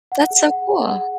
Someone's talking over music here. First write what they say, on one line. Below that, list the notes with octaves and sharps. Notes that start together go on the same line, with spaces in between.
That's so cool.
F#5
G#4
F#5
G#4
F#5